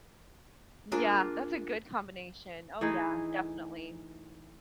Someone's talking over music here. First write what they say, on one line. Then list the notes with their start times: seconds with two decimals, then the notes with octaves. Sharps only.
Yeah, that's a good combination. Oh, yeah, definitely.
0.92 A#3 D4 F4 G#4
2.81 E3 A3 D#4 G#4